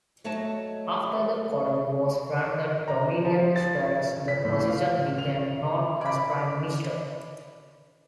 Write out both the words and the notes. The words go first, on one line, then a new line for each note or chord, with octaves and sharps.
After the colony was granted dominion status, the position became known as Prime Minister.
F#3 A3 C#5 D#5 A5
A#5
F3
A6
B6
A2
F5
F7
D5 B5